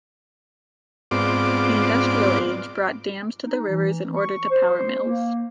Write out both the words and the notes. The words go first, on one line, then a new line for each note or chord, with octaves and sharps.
The Industrial Age brought dams to the rivers in order to power mills.
G#2 B3 C4 F4 D5 D6
D#4
E3
C#6
C5
A#3